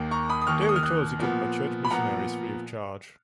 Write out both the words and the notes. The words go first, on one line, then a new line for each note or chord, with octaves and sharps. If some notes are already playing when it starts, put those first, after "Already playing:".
Daily tours are given by Church missionaries free of charge.
Already playing: D#2 D#3 A#3
A#5 C#6
B5 D#6
D#6
D#2 D#3 A#3 C#6 F6
C#6
D#6
F6
D#6 F#6
A#2 F3 B3
B5
A#2 F3 B3 F#5 A#5